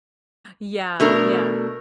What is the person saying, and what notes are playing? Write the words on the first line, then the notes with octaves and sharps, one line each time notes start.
Yeah, yeah.
B2 A3 D4 A#4